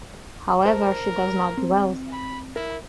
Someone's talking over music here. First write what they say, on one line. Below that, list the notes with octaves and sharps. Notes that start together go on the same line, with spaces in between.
However, she does not dwell there.
A#4 C5 A5
C4
B5
E4 A#4